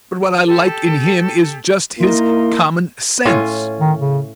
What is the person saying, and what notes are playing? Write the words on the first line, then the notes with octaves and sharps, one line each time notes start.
But what I like in him is just his common sense.
G4 A4
A#3 D#4 E4 A#4 C6
A2 C#4 F4
D#3
C#3